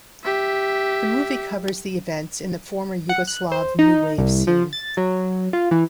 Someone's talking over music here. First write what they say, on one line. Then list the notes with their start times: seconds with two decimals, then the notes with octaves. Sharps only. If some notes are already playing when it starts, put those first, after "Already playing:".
The movie covers the events in the former Yugoslav new wave scene.
0.25 G4 E5
3.09 F#5
3.27 F#6
3.52 C5
3.79 D#4
4.18 C2
4.47 F3
4.73 A6
4.97 F#3
5.53 F4
5.71 E3